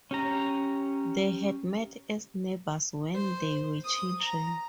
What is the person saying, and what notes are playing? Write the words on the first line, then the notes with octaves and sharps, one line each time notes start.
They had met as neighbors when they were children.
C#4 G4 A#5
C5
D#6
A#5